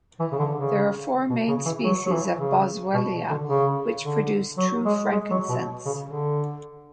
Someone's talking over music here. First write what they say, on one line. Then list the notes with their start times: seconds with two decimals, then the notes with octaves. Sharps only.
There are four main species of "Boswellia" which produce true frankincense.
0.20 E3
0.32 C#3
0.39 D3
0.56 C#3
1.29 B2
1.48 C#3
1.65 E3
1.84 F#3
2.06 F#3
2.12 E3
2.38 C#3
2.94 B2
3.30 D3
3.48 C#3
4.03 D3
4.58 F#3
4.85 G#3
5.12 G#3
5.31 F#3
5.49 B2
5.85 C#3
6.04 D3